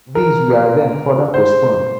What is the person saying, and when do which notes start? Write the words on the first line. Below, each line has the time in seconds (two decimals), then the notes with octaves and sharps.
These were then further postponed.
0.15 A#4
1.34 C5